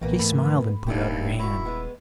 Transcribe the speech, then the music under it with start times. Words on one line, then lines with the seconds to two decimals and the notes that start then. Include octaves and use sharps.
She smiled and put out her hand.
0.01 B1 A#2 D#3 E3 A#3 B3
0.19 G#2 A3 B5
0.87 D#1 D#2 D4 E4 G4
1.39 D#3 E4 F#4
1.65 G#3 B3